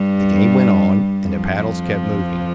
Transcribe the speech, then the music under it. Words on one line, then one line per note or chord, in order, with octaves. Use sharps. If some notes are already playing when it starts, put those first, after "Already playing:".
The game went on, and the paddles kept moving.
Already playing: G2 G3
F2 F3